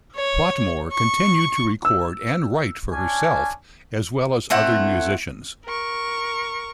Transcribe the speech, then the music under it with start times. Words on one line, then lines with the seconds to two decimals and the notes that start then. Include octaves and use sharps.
Whatmore continued to record and write for herself as well as other musicians.
0.16 C#5
0.93 C#6
1.85 E6
2.93 C#4 D4 G#5
4.50 A3 C4 E4 F#5
5.65 A#4 C#6